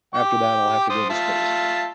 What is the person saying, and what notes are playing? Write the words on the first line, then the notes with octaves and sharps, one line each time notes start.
After that, I'll have to go to space.
G5 D6
C5 D#6
F4 E5 A5